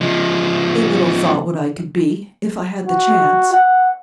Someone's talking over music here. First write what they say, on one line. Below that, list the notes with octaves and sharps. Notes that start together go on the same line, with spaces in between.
They little thought what I could be, if I had the chance.
F3 G#3
F#4
F#5